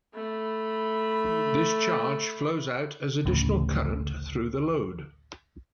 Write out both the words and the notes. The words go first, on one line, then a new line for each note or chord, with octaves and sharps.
This charge flows out as additional current through the load.
A3 B5
A1 D2 A2 C#3